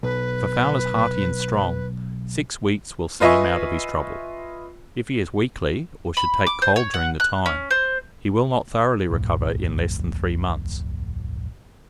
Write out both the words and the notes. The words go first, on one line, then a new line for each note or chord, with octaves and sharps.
If a fowl is hearty and strong, six weeks will see him out of his trouble; if he is weakly, or should take cold during the time, he will not thoroughly recover in less than three months.
B1 B4
F4 B4 D#5 E5 G#5 C#6
B5
D6
C5
C#5
F#5
F#6
C#4
C5
D1 B1 F2 A2